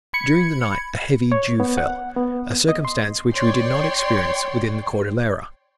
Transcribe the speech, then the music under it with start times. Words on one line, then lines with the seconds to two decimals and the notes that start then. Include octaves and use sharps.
During the night a heavy dew fell, a circumstance which we did not experience within the Cordillera.
0.14 B5 G#6 C#7
1.32 C#5
1.60 B3
1.78 F#5
2.16 B3
2.69 D#5
2.85 C6
3.32 C#5 D5 G5 C6